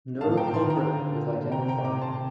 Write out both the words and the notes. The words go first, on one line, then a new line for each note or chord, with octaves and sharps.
No culprit was identified.
A2 F5 A5
G5 A#5
D#3 A5 C6
G5 A#5
D3
C3 G5 A#5
G5 A#5
A#5 D6
A5 C6